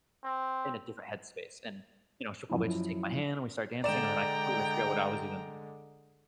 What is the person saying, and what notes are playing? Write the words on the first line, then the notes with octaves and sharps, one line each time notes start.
in a different headspace, and, you know, she'll probably just take my hand, and we start dancing, and then I completely forget what I was even
C4
F#2 F3 E4
D3 G#3 D5 G5 A#5 E7